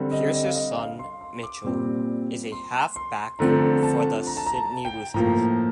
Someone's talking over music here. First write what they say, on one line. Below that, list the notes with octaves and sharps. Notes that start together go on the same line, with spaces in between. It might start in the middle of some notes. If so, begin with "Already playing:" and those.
Pearce's son, Mitchell is a half-back for the Sydney Roosters.
Already playing: D3 G3 C4
D#5
D#5
F5
D#5
F5
C6
C6
D6
A#2 G3 C4
C6
C6
D3 F3 A3 C4 A#5
A5
A#5
A5
A#5
A5
G5
A2 F3 A#3 A#5